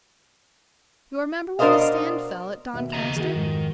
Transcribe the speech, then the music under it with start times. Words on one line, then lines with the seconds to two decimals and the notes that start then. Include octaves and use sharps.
You remember when the stand fell at Doncaster?
1.59 B2 D4 A#4 C5 D#5 F5
2.73 D#2 B2 E5
2.93 C#3 D#5 A#5
3.16 D#3 F#4 G#4
3.34 F2 G#2 F3